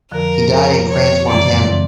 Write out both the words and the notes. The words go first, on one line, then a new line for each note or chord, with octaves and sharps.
He died in Crans-Montana.
F2 D3 F3 A#4
F2 D3 F3
F2 D3 F3 C#5
F#2 C#3 E3 G#3 C4 D5
C#3 E3 G#3 C4